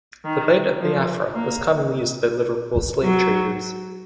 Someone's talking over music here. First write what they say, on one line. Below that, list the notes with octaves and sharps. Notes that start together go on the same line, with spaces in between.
The Bight of Biafra was commonly used by Liverpool slave traders.
D#3
F3
A#3
F#3